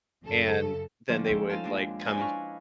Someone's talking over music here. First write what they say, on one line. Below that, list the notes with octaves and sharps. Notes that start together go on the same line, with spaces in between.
And then they would, like, come
F#2 C#3 A4
D3 F3 A#3 C#4 D4
G#3 C4 C#4 A4 G5
D#4 F4 F5 A5
D#2 G#3 D4
B4 C5 D5 D#5 G#5
D4 E4 B4 D#5 F5 C#6